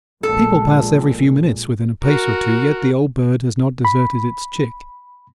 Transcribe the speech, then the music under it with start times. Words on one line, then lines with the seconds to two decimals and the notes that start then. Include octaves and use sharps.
People pass every few minutes within a pace or two, yet the old bird has not deserted its chick.
0.23 A#1 A#2 G#3 A4
2.04 F#4 A#4
3.85 B5